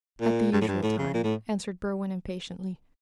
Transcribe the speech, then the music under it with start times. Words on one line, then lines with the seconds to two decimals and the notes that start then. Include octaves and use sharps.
"At the usual time," answered Berwin impatiently.
0.21 A#2
0.52 G2
0.61 A2
0.68 G2
0.83 A2
0.98 C#3
1.14 A#2
1.24 A2